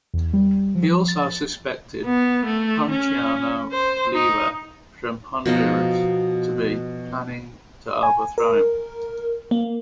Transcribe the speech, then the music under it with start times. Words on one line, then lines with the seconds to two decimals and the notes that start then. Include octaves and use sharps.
He also suspected Ponciano Leiva from Honduras to be planning to overthrow him.
0.14 E2
0.33 G3
0.75 F3
1.08 A6
2.05 B3
2.46 A3
2.90 C#4
3.71 C5
4.14 D#4
5.46 B2 F3 D#4 D#5
8.03 G#5
8.38 A#4
9.51 A#3